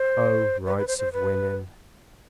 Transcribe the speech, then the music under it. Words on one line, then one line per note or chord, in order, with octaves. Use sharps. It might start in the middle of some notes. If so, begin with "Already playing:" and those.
Oh, rights of women!
Already playing: C5
B4
B4
C5
C5
B4